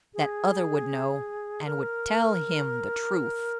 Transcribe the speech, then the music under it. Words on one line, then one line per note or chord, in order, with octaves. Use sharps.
That other would know, and would tell him the truth!
G#4
A#4